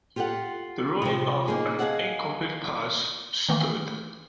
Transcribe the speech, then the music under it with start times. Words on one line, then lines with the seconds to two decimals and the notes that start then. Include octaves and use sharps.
The ruling of an incomplete pass stood.
0.16 F4 G4 A4 E5 F#5
1.02 C3 F3
1.48 A#3 D#4 G#4
1.79 G#4 D#5 F5 F#5 A5
3.49 D#3 E3 A3 A#3